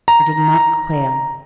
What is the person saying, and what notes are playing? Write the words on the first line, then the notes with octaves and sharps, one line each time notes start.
I did not quail.
A#5